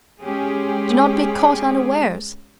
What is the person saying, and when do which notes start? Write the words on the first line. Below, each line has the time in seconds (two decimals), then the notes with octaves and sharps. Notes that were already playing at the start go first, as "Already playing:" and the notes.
Do not be caught unawares.
0.22 G#3 C#4 G4 G#4